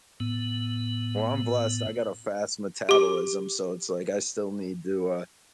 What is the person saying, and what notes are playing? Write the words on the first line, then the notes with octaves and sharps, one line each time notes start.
Well, I'm blessed, I got a fast metabolism, so it's like I still need to, uh
A2 B3
G4 D6